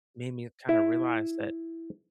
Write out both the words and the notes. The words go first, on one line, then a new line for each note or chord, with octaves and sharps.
made me kinda realize that
E4